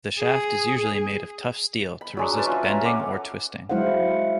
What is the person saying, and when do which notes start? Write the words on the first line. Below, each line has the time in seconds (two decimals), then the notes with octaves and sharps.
The shaft is usually made of tough steel to resist bending or twisting.
0.20 G#4
2.01 B5
2.17 F#3 G#3 D4
2.35 C#4 B4 A5
2.47 F4 E5
2.63 F#5 G#5 A#5 B5
2.81 A4 F#5 D6
3.69 F#3 G#3 E4 C5 F5 F#5